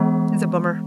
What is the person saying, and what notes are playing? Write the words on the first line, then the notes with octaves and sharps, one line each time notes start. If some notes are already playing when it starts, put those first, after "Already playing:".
it's a bummer.
Already playing: E3 G#3 B3